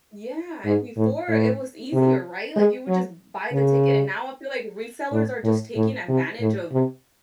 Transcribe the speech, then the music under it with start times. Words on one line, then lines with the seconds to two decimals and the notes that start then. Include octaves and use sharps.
Yeah, eh, before it was easier, right? Like, you would just buy the ticket, and now I feel like resellers are just taking advantage of
0.65 G#2
0.96 A2
1.28 A2
1.92 C3
2.56 G#3
2.88 F#3
3.52 C#3
5.12 A2
5.44 A2
5.76 A2
6.08 C3
6.40 A2
6.72 C3